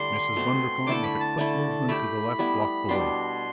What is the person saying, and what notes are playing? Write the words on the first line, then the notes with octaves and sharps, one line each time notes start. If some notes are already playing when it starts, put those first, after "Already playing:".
Mrs. Bundercombe, with a quick movement to the left, blocked the way.
Already playing: D3 G3 A3 D4 E4 C6
B2 A3 C4
D3 A3 E4 A4 D6
B5
A5
D3 A3 E4
A3 E4 G4 B5
G3 B3 E4
B2 G3 D4 C6